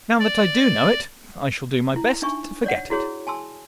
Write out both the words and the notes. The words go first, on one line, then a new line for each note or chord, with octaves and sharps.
"Now that I do know it I shall do my best to forget it."
D5
E4
D4 D#4 E5 G#5 C#6
C#5 D5 F#5
E4 F#4 G#4 C#5
G#5 A5 C6 E6